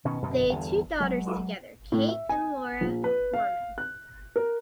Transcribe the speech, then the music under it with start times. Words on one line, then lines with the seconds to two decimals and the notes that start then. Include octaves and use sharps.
They had two daughters together, Kate and Laura Korman.
0.05 B2 D#3 C#4
0.22 F#2 B2 D3
0.49 G1 E2 D3
1.00 F#3 G#3
1.92 A2
2.09 E5
2.29 G#5
2.81 A#1
3.04 B4
3.34 F5
3.78 F#6
4.36 A#4